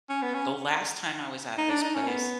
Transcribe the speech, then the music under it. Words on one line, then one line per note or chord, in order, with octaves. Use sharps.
the last time I was at this place,
C#4
B3
C#4
D#4
D4
D#4
C#4
B3